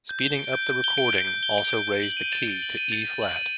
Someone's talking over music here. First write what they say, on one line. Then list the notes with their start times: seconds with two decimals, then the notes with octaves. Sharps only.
Speeding up the recording also raised the key to E-flat.
0.09 G6
0.24 G7
0.39 D7
0.53 G6
0.69 G6
0.84 G7
0.98 D7
1.13 G6
1.27 G6
1.43 G7
1.58 D7
1.73 G6
1.87 G6
2.03 F#7
2.17 D#7
2.32 A6
2.48 A6
2.63 F#7
2.77 D#7
2.92 A6
3.07 A6
3.22 F#7
3.36 D#7